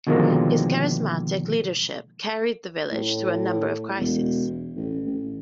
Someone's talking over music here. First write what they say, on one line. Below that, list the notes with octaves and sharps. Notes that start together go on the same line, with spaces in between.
His charismatic leadership carried the village through a number of crises.
B2 D3 D#3 F3 G#3 A#3
A2
E1
A1
A1